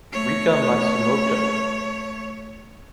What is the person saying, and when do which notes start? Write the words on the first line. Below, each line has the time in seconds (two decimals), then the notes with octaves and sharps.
Rika Matsumoto.
0.12 A3 C#5